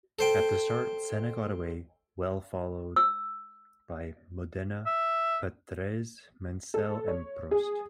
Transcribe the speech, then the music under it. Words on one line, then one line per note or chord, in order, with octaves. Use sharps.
At the start, Senna got away well followed by Modena, Patrese, Mansell, and Prost.
A4 C5 G5
E6
E5
A4
C#5
G#4